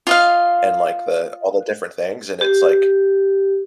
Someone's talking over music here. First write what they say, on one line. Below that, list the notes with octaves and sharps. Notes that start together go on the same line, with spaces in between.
and, like, the all the different things and it's like,
F4 D#5 F5
G4